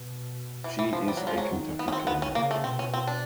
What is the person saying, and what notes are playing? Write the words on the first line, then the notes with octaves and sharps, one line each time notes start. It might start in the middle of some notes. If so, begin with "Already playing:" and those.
She is a Kentucky Colonel.
Already playing: B2
E3
E3
E3 F3
G3
F#3
G#3
F3
F#3
D#3
B3
C#4
C4
B3
C#4
C#3 A#3
A3
B2 C4
C#4
C4
D4